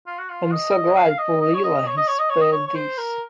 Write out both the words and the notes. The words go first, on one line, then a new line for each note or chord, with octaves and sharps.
I am so glad poor Lyla is spared this.
F4
F#4
F4
D#5
F5
F5
D#5
D#5
C#5
D#5
C#5
D#5
C#5
D#5
C#5
D#5
C#5
C#5
C5
A#4